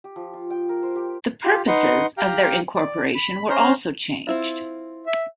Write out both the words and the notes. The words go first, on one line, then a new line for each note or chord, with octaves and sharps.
The purposes of their incorporation were also changed.
G4
F3
F4
G5
A#4
C5
G4
F4 G4
D#4 B4 F#5 C6
G4 F5 G5 A#5
D5
B5
C#4 C5 A#5 F6 G6
C4 E4 F4
E5